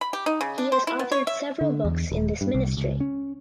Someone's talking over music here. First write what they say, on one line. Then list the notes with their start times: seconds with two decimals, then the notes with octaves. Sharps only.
He has authored several books in this ministry.
0.01 B5
0.13 G4
0.26 D#4
0.41 C#3
0.58 D4
0.72 C5
0.87 E4
0.99 B3
1.12 C#5
1.27 E5
1.61 D3
1.85 E2
2.12 D#1
2.41 G2
2.55 C2
2.77 C#2
3.00 C#4